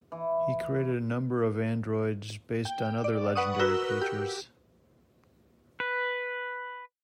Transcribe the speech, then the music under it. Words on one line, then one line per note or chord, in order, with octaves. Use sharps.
He created a number of androids based on other legendary creatures.
E3
G5
D5
B4 F#5 C#6 D#6
F#4 A#4 B4 E6 F#6 G7
G4
B4